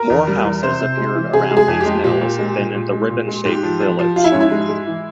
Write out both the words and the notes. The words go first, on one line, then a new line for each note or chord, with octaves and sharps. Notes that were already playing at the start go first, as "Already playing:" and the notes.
More houses appeared around these mills than in the ribbon shaped village.
Already playing: A#4
E2
G3
E2
C3 C5
C3
G#3
E3
C3 G#4
G#3
G#4
F2
G4
G#3
A#2 G4
A#2
G#3
A#2
A#2
G#3
A#2
G#3
G#2 G4
F3
F3
F3
F3 F4
E4
G#2 C#4
E4
G#3
G#3
E3